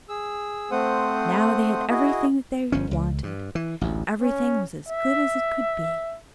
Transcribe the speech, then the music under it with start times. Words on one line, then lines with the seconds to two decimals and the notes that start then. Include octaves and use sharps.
Now they had everything that they wanted, and everything was as good as it could be.
0.09 G#4 E6
0.71 A3 C4 C5 F#5 D#6
1.89 E4 F#4 G#4 D#5
2.72 G1 F3 C#4
2.91 C#2
3.23 G2
3.55 E3
3.81 A1 D2
4.21 C#4
4.89 E5